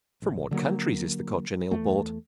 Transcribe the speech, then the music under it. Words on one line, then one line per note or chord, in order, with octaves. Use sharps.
From what countries is the Cochineal brought?
A#1
D3 F#3 G3 A#3
E2 A3